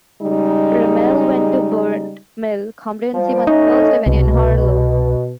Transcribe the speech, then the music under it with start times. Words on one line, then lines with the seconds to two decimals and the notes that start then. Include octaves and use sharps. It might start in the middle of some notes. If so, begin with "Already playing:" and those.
Rammell went to Burnt Mill Comprehensive on First Avenue in Harlow.
0.21 C#3 G3 G#3 D#4
3.14 F3 G3
3.47 A3 C#4 D#4 D#5
4.07 C2 B2